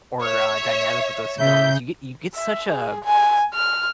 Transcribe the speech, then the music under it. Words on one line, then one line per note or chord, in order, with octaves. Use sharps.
or uh, dynamic with those films. You get you get such, uh,
C#5 E5
C#3 E5 G6
E5
G#4
G#5
F6